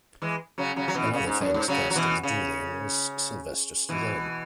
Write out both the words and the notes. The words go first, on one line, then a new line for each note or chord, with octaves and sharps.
Another famous guest of the Julien was Sylvester Stallone.
E3 G#3
C#3 F#3
C#3 F#3
F#3
B2 E3
C#3
G#2
F#2
G#2
C#3 F#3
F#3
B2 E3
C#3
B2 E3